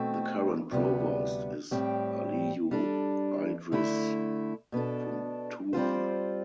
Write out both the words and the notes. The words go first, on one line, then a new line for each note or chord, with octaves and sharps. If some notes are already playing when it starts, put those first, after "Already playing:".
The current Provost is Aliyu Idris Funtua.
Already playing: B2 A3 C4
D2 C3 G3 B3
A2 G3 C4 G4
G3 D4 A4
D3 A3 E4
B2 B3 D4 A4
G3 C4 F4 C5